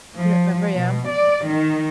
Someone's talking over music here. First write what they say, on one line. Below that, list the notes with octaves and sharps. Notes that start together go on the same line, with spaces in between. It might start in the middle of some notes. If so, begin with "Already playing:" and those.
You don't remember, yeah?
F3
B2
D5
D#3